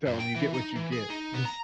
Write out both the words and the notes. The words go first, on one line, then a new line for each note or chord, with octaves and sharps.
Tell 'em, "You get what you get." That's
F#2
G5
E3
D#4
E3
G#4
D#4
B3
A#5